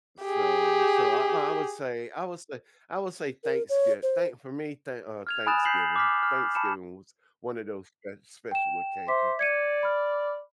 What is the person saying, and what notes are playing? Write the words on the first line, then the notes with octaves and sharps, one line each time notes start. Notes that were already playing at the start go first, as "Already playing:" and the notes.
So, so, I I would say I would say I would say thanksgi thank for me, thank uh, Thanksgiving. Thanksgiving was one of those sp special occasions.
G4 G#4
A#4
C#5
C5
F6 G#6 F7
G#5 B5 D#6 F#6 A6 E7
G6 B6 C7 F#7
D6 F6 B6
F6
A5 B5 C#7 E7
G5 E7
C5 E5 D6 B6
D5 G#6 C#7 D#7
B5 F6